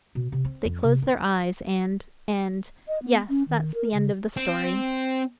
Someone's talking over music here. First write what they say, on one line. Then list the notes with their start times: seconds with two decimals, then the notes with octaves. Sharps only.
They closed their eyes, and--and--! Yes, that's the end of the story!
0.15 B2
0.32 C3
0.45 C4
0.65 F2
0.83 C3
1.02 D#3
2.88 D#5
3.03 B3
3.29 C#4
3.49 D#3
3.74 A#4
3.94 C#3
4.37 C4